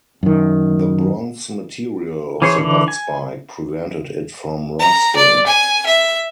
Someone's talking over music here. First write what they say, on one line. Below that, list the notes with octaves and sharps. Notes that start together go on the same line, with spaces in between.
The bronze material of the butt-spike prevented it from rusting.
F#2 D#3
E3 C#4 G#4 C5 C#5
D3 E3
G#5
A#5
D5
G#5
E5